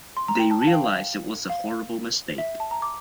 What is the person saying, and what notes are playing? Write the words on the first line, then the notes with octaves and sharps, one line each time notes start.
They realize it was a horrible mistake.
C6
A#5
G5
A5
A5
F5
G5
F5
F5
E5
A5
A#5
D6